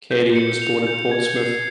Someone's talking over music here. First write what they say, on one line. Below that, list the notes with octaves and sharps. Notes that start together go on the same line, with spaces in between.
Katy was born in Portsmouth.
G6
C#7
F7
G6
G#6
C7